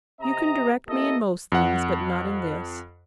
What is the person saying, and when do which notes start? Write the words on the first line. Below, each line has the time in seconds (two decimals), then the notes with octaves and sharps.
You can direct me in most things, but not in this.
0.21 C3 C4 D#5 A#5
0.88 A#3 B3 E4 G4 A4 D#5
1.52 F2 F#5